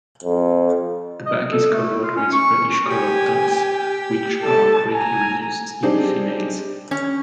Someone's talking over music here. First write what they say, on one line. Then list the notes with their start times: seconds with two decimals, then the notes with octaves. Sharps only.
The back is covered with reddish-coloured dots, which are greatly reduced in females.
0.23 F2
1.26 D#5
1.51 A4
1.72 A3
2.03 F4
2.17 C#4
2.33 C#6
2.90 G4 G#5
4.43 A4 A5
4.93 G#5 A#5
5.83 C4 D4 D#4 G4 G#4
6.91 C#4